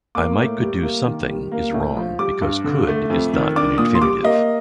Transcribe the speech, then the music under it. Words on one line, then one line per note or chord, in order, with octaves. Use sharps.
"I might could do something" is wrong because "could" is not an infinitive.
A#3 D6
A2
G3
A#3
D#3
G3
A#3
A2
F3
G3 D6
G2
D3
A3
F2
D#3
D4 D6
A#2 D#6
C6
G3 D6
A#3 D#5